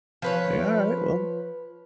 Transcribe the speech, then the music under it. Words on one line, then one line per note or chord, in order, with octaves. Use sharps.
like, "Alright, well"
F3 B4 C#5